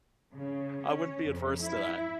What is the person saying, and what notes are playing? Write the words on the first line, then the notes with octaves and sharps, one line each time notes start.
I wouldn't be adverse to that.
C#3
C#4
F2
E4